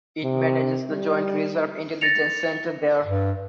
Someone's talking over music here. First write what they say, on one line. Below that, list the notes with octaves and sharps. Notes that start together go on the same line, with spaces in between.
It manages the Joint Reserve Intelligence Center there.
C3
G3
A6 A#6 C#7 F7
G2